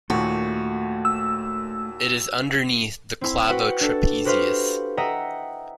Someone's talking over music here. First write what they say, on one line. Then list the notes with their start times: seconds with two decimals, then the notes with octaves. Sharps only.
It is underneath the Clavotrapezius.
0.10 D#2 A#2 A3 F#4
1.05 E6
3.21 C4 E4
3.46 F#4 B4 F#5 G5
3.80 D4 A4
4.25 F#4 G4 B4 C5 F5
4.97 D#5 E5 F#5 G5 A#5 D#6